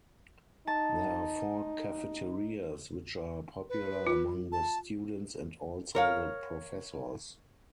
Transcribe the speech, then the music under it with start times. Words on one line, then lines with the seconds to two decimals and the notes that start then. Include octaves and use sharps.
There are four cafeterias which are popular among the students and also the professors.
0.67 D#4 A5
3.69 B4
4.07 F4
4.52 A5
5.95 A#4 C#5 F5